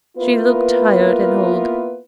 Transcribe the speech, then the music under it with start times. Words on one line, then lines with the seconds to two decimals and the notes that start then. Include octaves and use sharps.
She looked tired and old.
0.18 A#3 B3 E4 F4 A#4 B4